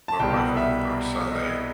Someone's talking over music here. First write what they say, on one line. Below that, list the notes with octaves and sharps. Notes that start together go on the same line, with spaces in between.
my wife and our son, they
A5
C2 B2 G3 G5
F#5
E5
D#5